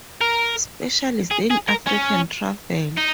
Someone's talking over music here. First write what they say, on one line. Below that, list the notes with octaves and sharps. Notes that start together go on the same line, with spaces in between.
Specialist in African Travel.
A#4
G#4
G#4
A#4
C#4
D#4